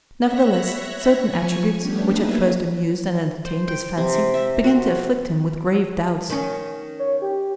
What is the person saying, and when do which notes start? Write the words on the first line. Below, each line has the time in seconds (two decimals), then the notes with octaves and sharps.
Nevertheless, certain attributes which at first amused and entertained his fancy began to afflict him with grave doubts.
0.23 C#5 E5 B5 F#6 A#6
1.25 F3 G#5 C#6
1.79 G3 A3 B3 C#4 D4 G4
2.12 F#3 A#3 D#4 G#4 B4 E5
3.45 C5
3.68 G5
3.97 C3
4.34 E5
4.64 F#4
6.30 D#3 C#4
6.99 C#5
7.22 G4